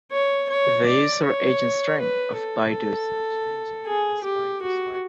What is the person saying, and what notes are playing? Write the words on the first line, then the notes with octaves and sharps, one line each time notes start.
The user-agent string of Baidu search engine is "Baiduspider".
C#5
C#5
D5
C#5
B4
A4
G#4
G4
F#4